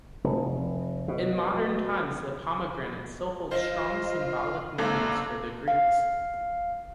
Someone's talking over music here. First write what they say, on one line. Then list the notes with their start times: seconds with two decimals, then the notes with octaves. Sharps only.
In modern times, the pomegranate still holds strong symbolic meanings for the Greeks.
0.24 F1
1.08 B2
3.51 F4 C5 D#5
4.78 G#1 D#2 A4 E5 A#5 D6
5.68 F5